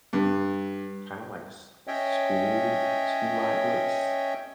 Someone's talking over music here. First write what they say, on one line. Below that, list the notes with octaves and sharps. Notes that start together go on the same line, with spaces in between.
kinda like s school school-vibe looks?
G2
C#4 C#5 D#5 E5 G5